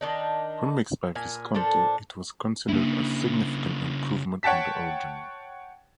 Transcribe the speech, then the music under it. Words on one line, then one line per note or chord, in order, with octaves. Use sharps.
Remixed by Visconti, it was considered a significant improvement on the original.
D#3 D4 D#4
A#2 G#5
A#2 D4 A4 C5
C#3 A#3 D4 E4
C#5 F#5 G5 A5 B6